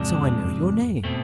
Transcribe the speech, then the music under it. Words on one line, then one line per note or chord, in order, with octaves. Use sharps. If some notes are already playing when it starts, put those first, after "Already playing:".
"So I know your name."
Already playing: E2 G#2 C3 F3 G#3 D4
F2
E2
B2 A3 C4